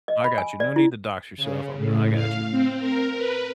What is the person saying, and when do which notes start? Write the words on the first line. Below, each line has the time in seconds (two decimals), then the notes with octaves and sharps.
I got you, no need to dox yourself, I'm d I got you.
0.08 D#5
0.24 B5
0.38 G#5
0.60 D5
0.76 E4
1.37 C#3
1.77 A2
2.14 F5
2.51 C4
2.79 A#4
3.17 B4